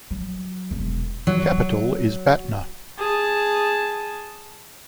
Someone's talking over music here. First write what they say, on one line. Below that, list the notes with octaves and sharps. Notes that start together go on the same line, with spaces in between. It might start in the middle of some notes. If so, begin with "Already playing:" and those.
Capital is Batna.
F#3
E1
F#3
G#4 A5